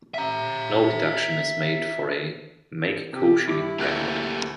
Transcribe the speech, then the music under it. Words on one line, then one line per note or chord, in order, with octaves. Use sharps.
No deduction is made for a "make-koshi" record.
E5 A#5
C3 G4
G2 E4 G4 D6
D2 A#3 G4 A4 F#6 A#6